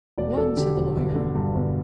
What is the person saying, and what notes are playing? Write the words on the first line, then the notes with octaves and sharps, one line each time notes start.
"One," said the lawyer.
E1 D5
E1 A4
D3 G4
E1
G1
D3
G2
G1